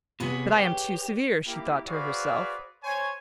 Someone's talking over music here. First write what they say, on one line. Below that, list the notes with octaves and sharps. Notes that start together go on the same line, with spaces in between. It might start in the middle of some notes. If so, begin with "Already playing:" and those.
"But I am too severe," she thought to herself.
C3 B3 G#4 B4 C#5
G4
A#3 E4 G4
F#4 G#4 B4 C5 D5 F5
C5 C#5 G#5